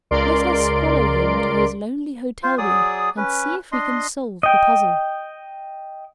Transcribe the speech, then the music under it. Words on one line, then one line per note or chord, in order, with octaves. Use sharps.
Let us follow him to his lonely hotel-room and see if we can solve the puzzle.
C#2 A#4 D5 C6 D7
F4 C5
F#3 G#4 D5 D#6
C#4 B4
D4 D#5 C6
D#5 G5